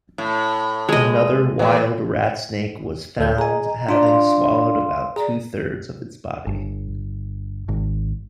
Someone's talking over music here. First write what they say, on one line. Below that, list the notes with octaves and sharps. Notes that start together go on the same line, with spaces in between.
Another wild rat snake was found having swallowed about two-thirds of its body.
A2
G#3 D#5
E2 A#2
D2 A4 G6
G#4 D#5 G#5 A#5
D4 F4 D5 A#5 C6
F5 C6
G#4 D5 A#5
G1
G#1